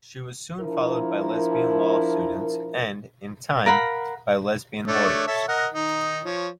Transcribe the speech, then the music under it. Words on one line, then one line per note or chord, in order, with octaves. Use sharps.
She was soon followed by lesbian law students and, in time, by lesbian lawyers.
F3 D4 E4 A#4
A#4 F5 F#5 B5
A3 D4 C#5
A4 C#5 E5
A#4 D#5 F#5
D#3 D#4
F3 C#5